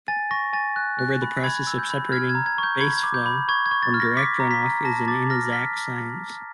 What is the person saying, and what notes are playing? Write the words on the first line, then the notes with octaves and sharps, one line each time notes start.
However, the process of separating "baseflow" from "direct runoff" is an inexact science.
G#5 A6
C#6 A#6
G#5 A6
F#6
F#6
B5
B5 G#6
E6
G6
B5
F6 G#6
G#6
A#5
G#6
C#6 G6
B5 G#6
D6
G6
B5
C#6 G#6
G#6
C#6
A6
F6
A#6
D6 B6
A#5
B6
A#5
A5 A#6
D6 A6
F6 A#6
F6 B6